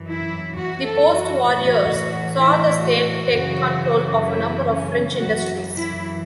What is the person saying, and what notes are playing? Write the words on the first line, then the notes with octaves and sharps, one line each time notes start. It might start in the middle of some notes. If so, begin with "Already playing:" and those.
The post-war years saw the state take control of a number of French industries.
Already playing: F#2 E3
E4
F#4
A4
F#4
A2 E3
E4
F#4
F#2 C#3 E3
E4
C#4
F#2 E3 F#4
E4